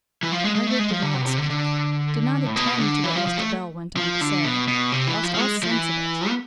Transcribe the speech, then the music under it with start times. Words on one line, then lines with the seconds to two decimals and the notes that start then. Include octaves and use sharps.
Margaret did not speak; did not attend to what Mr. Bell went on to say; lost all sense of it.
0.23 E3
0.32 F3
0.44 G#3
0.55 G#3
0.67 A3
0.79 G#3
0.91 F3
1.02 D3
1.14 C3
1.21 B2
1.26 C3
1.38 D3
1.50 D3
2.46 A2
2.56 B2
2.79 D3
3.04 E3
3.15 F3
3.27 F3
3.38 A3
3.97 F3
4.21 D3
4.45 B2
4.68 B2
4.92 C3
5.07 E3
5.23 F3
5.34 F3
5.39 G#3
5.63 F3
5.71 E3
6.29 B3